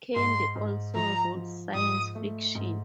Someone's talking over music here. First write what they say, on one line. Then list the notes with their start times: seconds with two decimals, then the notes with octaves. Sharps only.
Cady also wrote science fiction.
0.15 G#2 C6
0.55 G#2
0.95 F3 A#5
1.35 F3
1.74 G#2 D#6
2.15 A3
2.55 G#2